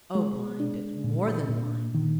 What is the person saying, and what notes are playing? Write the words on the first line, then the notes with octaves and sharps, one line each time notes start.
O Blind, and more than blind!
G#3
D4
A#2
A#2
D#3